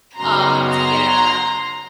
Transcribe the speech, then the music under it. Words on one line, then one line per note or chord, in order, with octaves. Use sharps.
Ah, see, yeah.
F#2 C#3 F#3 B3 D#4 A#5 C6
A#5 C6